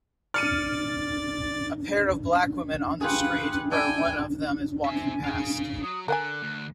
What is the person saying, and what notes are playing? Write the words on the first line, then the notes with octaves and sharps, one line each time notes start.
A pair of black women on the street where one of them is walking past.
D5 F6 A6 C#7 D#7
F4 G4 G#4 B4 F#5
D4 E4 D5 G5 G#5
C4 E5 G#5
G#4 F5
F#3 D#6
D3 A#4 F#5 G#5 F#6
D2